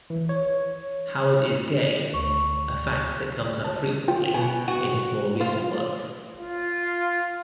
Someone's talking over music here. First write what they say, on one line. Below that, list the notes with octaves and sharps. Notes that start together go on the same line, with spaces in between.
Howard is gay, a fact that comes up frequently in his more recent work.
E3
C#5
D2 C#6
A5
F4 G5
B2 G#5
F#4
F4 C5
F4